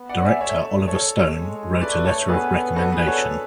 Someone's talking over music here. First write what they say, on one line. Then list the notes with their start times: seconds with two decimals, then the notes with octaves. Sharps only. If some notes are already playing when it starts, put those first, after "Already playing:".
Director Oliver Stone wrote a letter of recommendation.
Already playing: B3
0.09 D5 F#5
0.25 E5 G#5
0.40 A3 C#5 E5
0.88 A4 C#5
1.35 G#3
1.81 A3 B4 D5
2.05 A4 C#5
2.29 B3 G#4 B4
2.76 B3 F#4 A4
2.92 G#4 B4
3.07 A4 C#5